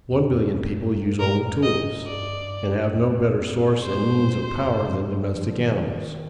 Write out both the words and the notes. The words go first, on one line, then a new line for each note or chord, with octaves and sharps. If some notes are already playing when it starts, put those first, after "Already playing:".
One billion people use only tools, and have no better source and means of power than domestic animals.
F2
F2
G2
A#2 A#4
G#2
A#2
F2
G2
G#2 D#5
G#2
G2 D5
F2
C5
F2
G2
G#2
G2
F3
D#3